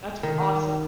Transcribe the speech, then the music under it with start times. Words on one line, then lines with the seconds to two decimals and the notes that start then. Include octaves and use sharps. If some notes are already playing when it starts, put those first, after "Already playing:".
That's awesome.
0.23 D#3